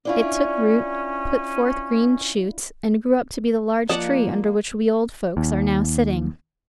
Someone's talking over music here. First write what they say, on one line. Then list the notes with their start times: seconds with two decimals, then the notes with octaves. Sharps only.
It took root, put forth green shoots, and grew up to be the large tree under which we old folks are now sitting.'
0.05 C#4 D4 E4 F4
3.89 F3 A#3 D5 D#5 F#5 A5
5.37 D#2